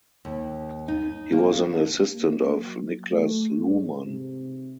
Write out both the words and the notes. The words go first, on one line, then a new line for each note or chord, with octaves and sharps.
He was an assistant of Niklas Luhmann.
D#2
D#4
A#3
D4
A#3
F#3
A3
G#2
C3